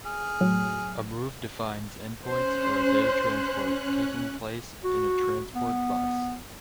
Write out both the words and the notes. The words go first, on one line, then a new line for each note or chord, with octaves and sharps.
A move defines endpoints for a data transport taking place in a transport bus.
G#4 F6
A2 F#3
C#4 C5 F#6
F#4
B3